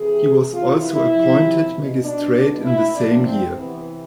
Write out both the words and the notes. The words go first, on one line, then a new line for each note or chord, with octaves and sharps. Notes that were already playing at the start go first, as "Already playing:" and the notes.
He was also appointed magistrate in the same year.
Already playing: C3 E3 G#4
C3 E3 F4
E4
C3 F3
B2
D4
B2
E4
C3 F3 D4
C4
C3 E3 B3